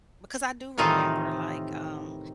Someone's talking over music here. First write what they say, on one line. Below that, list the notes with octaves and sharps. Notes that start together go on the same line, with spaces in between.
because I do remember, like, um,
A2 C3 D#3 E3 D#4 F4